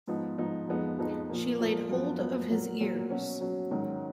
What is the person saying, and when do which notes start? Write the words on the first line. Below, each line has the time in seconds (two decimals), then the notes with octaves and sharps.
She laid hold of his ears.
0.07 G#2 F3 B3 D#4
0.38 G#2 F3 B3 D#4
0.68 F2 F3 G#3 B3 D#4
0.99 F2 F3 G#3 B3 D#4
1.29 A#2 F3 A#3
1.59 A#2 F3 A#3
1.89 F#2 F3 B3
2.20 F#2 F3 B3
2.50 A#2 F#3 A#3
2.80 A#2 F#3 A#3
3.10 B2 F#3 C#4
3.40 B2 F#3 C#4
3.71 G#2 D#3 F#3 C#4